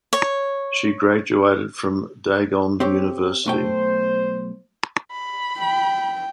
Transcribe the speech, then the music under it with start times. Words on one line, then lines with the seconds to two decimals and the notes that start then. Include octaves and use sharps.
She graduated from Dagon University.
0.13 C#5
2.80 C4 G4 C#5
3.46 B1 A3 C5 G5
5.12 B5
5.59 G5